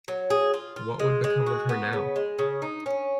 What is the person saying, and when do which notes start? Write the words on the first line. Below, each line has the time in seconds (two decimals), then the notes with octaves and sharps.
What would become of her now?
0.08 F#3
0.30 G#4
0.54 F4
0.76 F4
0.99 G#3
1.24 G#3
1.46 F#4
1.69 B3
1.93 C#3
2.16 G#3
2.39 C#3
2.62 D#4
2.86 C#4